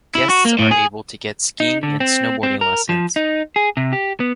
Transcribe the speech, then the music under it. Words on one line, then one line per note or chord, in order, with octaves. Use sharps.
Guests are able to get skiing and snowboarding lessons.
E4
F#4
A#3
A2
G#4
D#4
D3
C4
C4
A#4
F3
D#4
G#4
C3
G4
B3